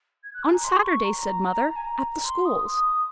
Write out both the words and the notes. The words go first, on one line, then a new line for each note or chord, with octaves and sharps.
'On Saturday,' said mother, 'at the schools.
G#6
F#6
G#5
A#5
C6
C#6
A#5
G#5
A#5
C6
D#6
D#6